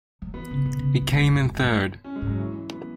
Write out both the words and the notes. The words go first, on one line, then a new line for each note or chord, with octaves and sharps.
He came in third.
F#3
E3 B3
C#3
B2
C#3
F#2
G#2
F#2
G#2
F#2
G#2
F#2
C#4
G#3
G#2
F#3
E3
B3